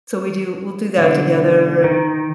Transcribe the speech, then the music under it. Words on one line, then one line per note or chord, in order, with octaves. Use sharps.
so we do we'll do that together, and
B1 F2 D3
D#3